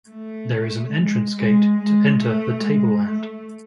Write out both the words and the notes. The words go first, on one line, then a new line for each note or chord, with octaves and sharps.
There is an entrance gate to enter the table land.
A3
G#3
G#3
G#3
A3
G#3
A3